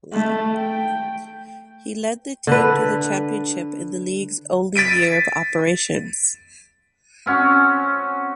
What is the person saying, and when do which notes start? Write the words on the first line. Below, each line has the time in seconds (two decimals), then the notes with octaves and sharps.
He led the team to the championship in the league's only year of operations.
0.13 A3
0.55 G5
2.47 D3 B4
4.76 A6 B6 D7 D#7
7.26 C4 C#4 F#4